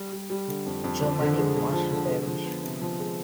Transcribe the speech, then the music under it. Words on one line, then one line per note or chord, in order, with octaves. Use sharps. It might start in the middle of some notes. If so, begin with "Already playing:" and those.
Germany Must Perish!
Already playing: G3
G3
G3
D3
F2
F2
F3
D3
G#3
G#3
F3
D3
G#3
F3
B3
C3
F3
G#3